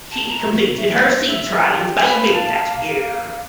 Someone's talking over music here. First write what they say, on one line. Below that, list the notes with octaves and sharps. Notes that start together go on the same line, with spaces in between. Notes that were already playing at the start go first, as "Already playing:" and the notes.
She completed her sea trials by May that year.
A5
A#5
F#4
E5
E5
G4
B4 F5
A5
A#3